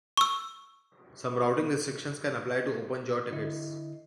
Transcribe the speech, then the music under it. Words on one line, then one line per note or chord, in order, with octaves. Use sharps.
Some routing restrictions can apply to open-jaw tickets.
C#6 E6
D3 E4 D#5